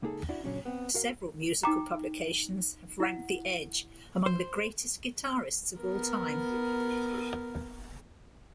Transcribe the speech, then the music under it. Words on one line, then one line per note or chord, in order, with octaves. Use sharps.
Several music publications have ranked the Edge among the greatest guitarists of all time.
C#2 A#3 B3 D#4 G#4 A4
D4 E4 F#4 D5
A#2 C#3 F#3 C#4 D4
B3 C4
F#4 A#4 F5
D#4 G5 A#5 D6
E4 F#5
C5
B3 A#4